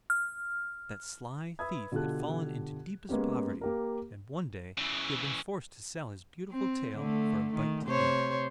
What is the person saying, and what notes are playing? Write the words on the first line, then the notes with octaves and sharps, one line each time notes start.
That sly thief had fallen into deepest poverty, and one day he had been forced to sell his beautiful tail for a bite to eat.
F6
B4 E5 B5 D#6 E6 G#6
B2 D3 F4 G4 A4 F#6
G#3 A#3 B3 C#4 G4
A#3 G4 A#4
C#3 E3
C4
D3 A3
D#3
C3 C5 C#5